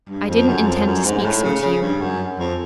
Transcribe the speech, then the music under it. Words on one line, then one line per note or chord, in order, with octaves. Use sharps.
'I didn't intend to speak so to you.
G2
F2
F#2
F2
F#2
G#2
G#2
A2
C#3
C#3
G2
F#2
F2